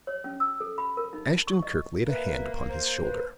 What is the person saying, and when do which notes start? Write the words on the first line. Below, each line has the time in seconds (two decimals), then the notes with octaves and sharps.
Ashton-Kirk laid a hand upon his shoulder.
0.07 C#5
0.24 C#4
0.40 E6
0.60 A4
0.78 B5
0.97 A#4
1.13 D#4
1.29 D#4
1.47 C#6
1.62 D#5
2.06 A#3 B4 E5
2.67 C5
3.02 B4 C5